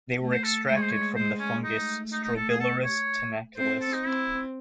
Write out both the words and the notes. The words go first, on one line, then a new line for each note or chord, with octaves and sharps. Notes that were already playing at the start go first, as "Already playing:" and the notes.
They were extracted from the fungus "Strobilurus tenacellus".
A3
C5
A4
G#3 C5
C#5
C5
C#5
G#3 C5
C#4
A3 D#4
D#4
D#4
A4
G#4
A4
C#5
C4 C5
A4
D#4
C4 E4